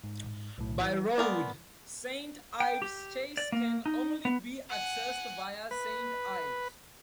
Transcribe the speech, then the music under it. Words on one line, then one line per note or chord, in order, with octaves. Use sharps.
By road, Saint Ives Chase can only be accessed via Saint Ives.
G#2
B1 A2
E3
B3 A#4 D5 G#5 C6
G5
G4
D5
A#3
D#4
B3
F#5 G#5
B4